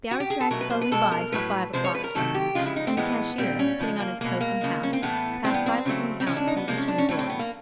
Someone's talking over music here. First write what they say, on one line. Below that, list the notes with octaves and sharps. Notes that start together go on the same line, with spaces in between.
The hours dragged slowly by till five o'clock struck, and the cashier, putting on his coat and hat, passed silently out through the swing doors.
F#4
G4
G#4
A4
B2 F#3 A3 A#4
B4
C5
B4
B2 G#3 A4
A#4
A2 F#3 A3 B4
C3 F3 G#3 C5
C#5
B4
A#4
C3 D#3 F#3 A3 A4
G4
C#3 F3 G#3 F4
E4
D#4
C4
A2 E3 G#3 B3
A#2 G3 C4
C#4
C#3 F3 G#3
A#3
B2 G#3 A#3
A#3
C#3 F3 G#3
C#4
C4
A2 E3 A3 B3
A2 E3 G3 C4
B3
C4
C#3 F#3 A3
C4
C#3 F3 G#3 C#4
D4
D#4
B3
C3 F3 G#3 A#3
C#4
D4
C#4
A2 F#3 A3 C4
C4
B3
A#3